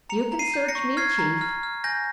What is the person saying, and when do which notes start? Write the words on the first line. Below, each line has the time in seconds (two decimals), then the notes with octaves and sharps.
You can search me, Chief.
0.09 A#5 C#7 F7
0.32 A#5
0.39 C7 D#7
0.54 G6
0.68 A#6 C#7
0.75 C#6
0.97 F6 G#6 C7
1.19 A#5
1.41 F6
1.63 F6
1.84 G#5 G6 A#6